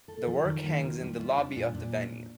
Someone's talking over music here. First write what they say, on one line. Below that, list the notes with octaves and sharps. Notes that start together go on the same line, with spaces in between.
The work hangs in the lobby of the venue.
A4
F3
D#3
A#3
F4
G3
F4
D4
A#2
A#2